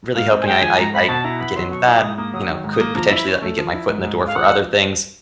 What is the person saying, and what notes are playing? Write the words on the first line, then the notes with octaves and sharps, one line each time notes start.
really hoping I I I get into that, you know, could potentially let me get my foot in the door for other things.
G#2 F5
C4
G#5
G#3 G5
F3 G#5
G#2 A#5
C4 B5
B2 A5
E4 A#5
B3 B5
F#3 C6
B2 C#6
E4 D6
G#2 D#6
A#3 D#6
F#3 D#6
D#3
G#2
D#6
A#3
F3 A#5
E4 B5
C#4
A3
F3
E4
G#2
G#2
G#3
F5
F3 F#5